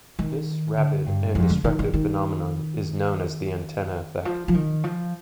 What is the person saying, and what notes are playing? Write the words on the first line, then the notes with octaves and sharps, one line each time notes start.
This rapid and destructive phenomenon is known as the antenna effect.
D#3
D3
G2
F2
D3
D#3
D#3
D#3
F3
F3
D#3
F3